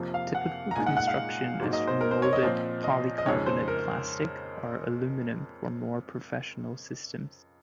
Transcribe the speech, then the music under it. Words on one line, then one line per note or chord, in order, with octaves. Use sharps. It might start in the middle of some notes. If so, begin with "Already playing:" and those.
Typical construction is from moulded polycarbonate plastic, or aluminum for more professional systems.
Already playing: F2 C3 F3 A#3
F5
F#5
A#5
A#2 G#3 D#4 G#5
F#5
F#5
F5
G#2 F#3 A#3 D#4
D#5
C5
A#4
C5
C#5
D#5
A#2 F3 C4
D#5
D#5
F2 C#3 G#3 D#4 C#5
C5
A#4